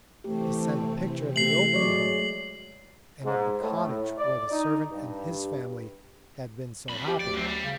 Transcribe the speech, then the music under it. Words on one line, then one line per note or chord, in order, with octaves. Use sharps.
He sent a picture of the Oakley home and of the cottage where the servant and his family had been so happy.
C3 E3 A3 C4 G4
A3 G4 C7 F#7
F#3 G#3 C#5 D5
G#2
A2
D5
D#4
G2
F2 B5
G4
D2 D5
F#2 C4
G3
C#3